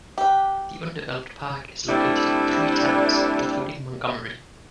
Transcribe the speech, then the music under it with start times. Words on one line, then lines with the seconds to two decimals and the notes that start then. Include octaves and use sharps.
The undeveloped park is located in three towns, including Montgomery.
0.18 G4 B4
1.89 D3 G3 A3 C4 D4 E4